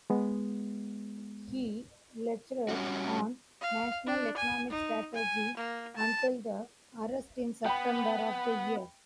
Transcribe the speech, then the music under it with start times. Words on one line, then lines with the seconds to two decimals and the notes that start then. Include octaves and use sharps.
He lectured on "national economic strategy" until the arrest in September of the year.
0.10 G#3 B3
2.69 G3 C#4 F#4
3.62 F5
4.07 D4
4.37 G#5
4.71 D#4
5.15 G#5
5.57 A#3
5.96 A5
7.66 B3 G5 B5